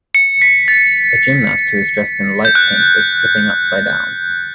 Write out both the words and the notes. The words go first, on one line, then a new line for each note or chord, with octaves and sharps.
A gymnast who is dressed in light pink is flipping upsidedown.
C#7
B6
A6
G6
F#6